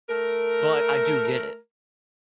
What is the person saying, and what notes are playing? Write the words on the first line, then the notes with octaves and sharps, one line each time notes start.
But I do get it.
A3 A#4